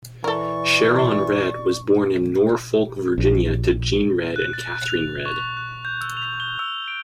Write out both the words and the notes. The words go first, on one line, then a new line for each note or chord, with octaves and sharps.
Sharon Redd was born in Norfolk, Virginia to Gene Redd and Katherine Redd.
E3 A4 A#4 D5 C#6
A#1
F#6
A6
F7
C#6
F#6
G6
E6
F7
G7
E6
D7